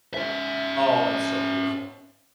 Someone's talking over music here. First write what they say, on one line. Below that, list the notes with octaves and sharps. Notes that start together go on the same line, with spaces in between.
Oh, that's so beautiful.
C#4 E5